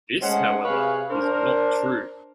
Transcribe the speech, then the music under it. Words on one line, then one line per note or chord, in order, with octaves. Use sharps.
This however is not true.
G#3 A3 C#4 C5 D#5 F#5
C3 G#4 B4 C#5 F5
D4 A#4 C5